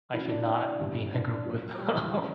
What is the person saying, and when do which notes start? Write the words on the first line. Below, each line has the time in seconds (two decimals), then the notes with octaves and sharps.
I should not be in a group with them.
0.13 E3 A#3 C#4 E4 F#4
0.30 D4
0.47 D4
0.79 G2 E3 B3 E4 G4
1.12 D4
1.44 A#2 F#3 A#3
1.78 G3
1.94 E3
2.11 D3
2.13 C#3 F#3